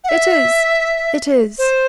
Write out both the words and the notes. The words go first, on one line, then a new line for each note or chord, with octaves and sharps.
'It is--it is!
F#5
E5
C5